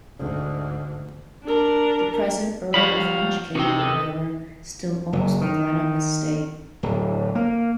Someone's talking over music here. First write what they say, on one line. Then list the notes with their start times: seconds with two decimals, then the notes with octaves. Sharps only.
The present Earl of Inchcape, however, still owns the Glenapp Estate.
0.18 D2 G#2
1.44 D4 A#4
2.74 F3 G3 F#4 F5 B5
2.97 F5
3.55 C3 C4 D#4 F#4 G5
3.79 A4 B4 D#5
5.13 F#1
5.41 D#3
6.83 D1
7.35 A#3